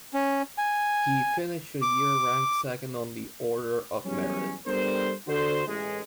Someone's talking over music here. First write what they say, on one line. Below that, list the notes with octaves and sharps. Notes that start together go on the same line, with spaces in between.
He finished the year ranked second on the Order of Merit.
C#4
G#5
D6
E2 F#3 G3 B3 C#4
G3 B3 D4 A4 A#4 C5
D3 F#4 C5
A1 G#3